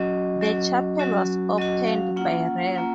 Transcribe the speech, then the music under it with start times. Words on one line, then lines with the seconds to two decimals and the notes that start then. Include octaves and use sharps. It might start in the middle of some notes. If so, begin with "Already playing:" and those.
The chapel was opened by Rev.
Already playing: F#3 C#4 F#4 D#5
0.41 F#3 C#4 F#4
0.99 F#3 C#4 F#4
1.58 F#3 C#4 F#4 D#5
1.87 F5
2.16 A#3 C#4 F4 F#5
2.75 A#3 C#4 F4